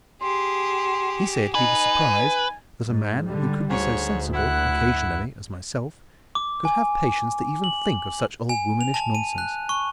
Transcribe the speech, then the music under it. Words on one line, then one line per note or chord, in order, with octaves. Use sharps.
He said he was surprised that a man who could be so sensible, occasionally, as myself, could have patience to even think of such old-womanish nonsense.
G4 G#4 C6
D#4 B4 G#5
G#2
D3 G3
D2 G#2 C#5
E4 F#5 F#6
D6
G#5
F#7
G#5
F7
A5
D#7
F#6
C#6